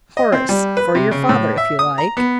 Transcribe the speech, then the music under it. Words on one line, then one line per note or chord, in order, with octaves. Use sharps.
"Horace, for your father, if you like."
D#5
C4
G3
B4
C3
C#3
A2
E5
D#6
A#5
B3